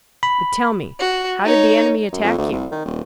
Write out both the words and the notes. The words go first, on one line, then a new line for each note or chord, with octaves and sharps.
"But tell me, how did the enemy attack you?"
B5
F#4
D#4 C#5
F#2
F2
D2
C2
D#3
D#1